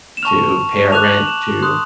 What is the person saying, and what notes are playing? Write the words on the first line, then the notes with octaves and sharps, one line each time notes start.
to pay our rent, to,
E7
A5 C#6 F6 F7
A5 D6 F#6 F7
F#7
E7
C6 D#6 F#6